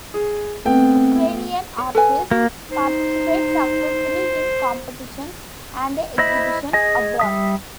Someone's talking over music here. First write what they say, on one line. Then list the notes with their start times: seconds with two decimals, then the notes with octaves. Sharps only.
Ukrainian artists participate successfully in competitions and exhibitions abroad.
0.14 G#4
0.65 A3 B3 C4 G5
1.78 C#5
1.95 A4 B4 G#5
2.31 A#3 F#4
2.71 D#4 C5
6.18 E4 C5 D#5 E5 B5
6.73 G#4 D#5 G#5
7.20 G3 E5 D#6